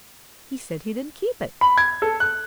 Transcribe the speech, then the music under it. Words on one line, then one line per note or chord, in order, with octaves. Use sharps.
He said he didn't keep it.
B5
G#6
A4
F#6